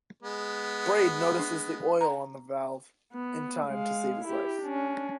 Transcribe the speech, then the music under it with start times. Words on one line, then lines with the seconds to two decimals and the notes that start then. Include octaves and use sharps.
Brade notices the oil on the valve in time to save his life.
0.23 G#3 B3
1.39 D4
2.01 A#5
3.13 B3
3.67 G#3 F5
4.24 E4 G4
4.62 C#4 D4